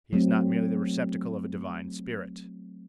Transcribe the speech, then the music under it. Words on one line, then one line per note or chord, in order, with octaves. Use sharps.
He is not merely the receptacle of a divine spirit.
F#3 A3 C4